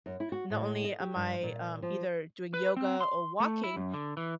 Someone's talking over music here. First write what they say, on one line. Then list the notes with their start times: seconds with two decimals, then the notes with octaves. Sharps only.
not only am I, um, either doing yoga, or walking
0.06 F#2
0.20 E4
0.32 F#4
0.50 A2
0.84 D#5
1.00 G4
1.15 G2
1.43 A#2
1.82 F3
2.54 B4
2.77 C4
3.01 C6
3.40 A3
3.64 E4
3.76 F#2
3.94 D3
4.17 E3